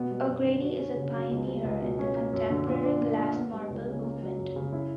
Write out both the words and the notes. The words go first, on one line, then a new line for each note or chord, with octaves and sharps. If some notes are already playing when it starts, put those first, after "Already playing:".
O'Grady is a pioneer in the contemporary glass marble movement.
Already playing: B2 B3
G3
F#2
D3
F#4
C#4
C#3
F#3
C#2
G3
C#2
B2
C#4
A#3
F#2
D3
A#2
D4
A#2
A#3
B3
G3
C#2
C#3
A#3
F#3
F#2
C#3
E4